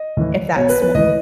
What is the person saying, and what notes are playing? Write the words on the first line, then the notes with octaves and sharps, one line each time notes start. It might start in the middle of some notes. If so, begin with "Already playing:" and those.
if that's wh
Already playing: D#5
A2 E3
B2 C#5
B4
B4
A2 E3 D#5